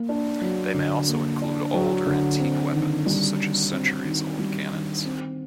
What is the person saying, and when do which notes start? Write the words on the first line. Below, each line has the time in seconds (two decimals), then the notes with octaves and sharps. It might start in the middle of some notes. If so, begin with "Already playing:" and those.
They may also include old or antique weapons, such as centuries-old cannons.
Already playing: A#3
0.09 D4
0.41 F#3
0.74 D3
1.08 A#3
1.42 D4
1.74 F#3
2.07 D3
2.40 C4
2.73 D#3
3.06 G3
3.40 D#3
3.72 C4
4.05 D#3
4.39 G3
4.71 D#3
5.05 C4